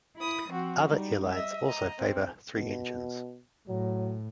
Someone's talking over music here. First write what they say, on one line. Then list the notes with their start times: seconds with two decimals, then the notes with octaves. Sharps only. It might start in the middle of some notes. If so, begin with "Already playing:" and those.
Other airlines also favored three engines.
0.16 E4 B5 D#6
0.48 F3 C4 F#4
0.87 G3 D#4
1.32 D#5 E5
1.66 D#5 A#5
1.98 C4
2.55 B2
3.68 A2 F#3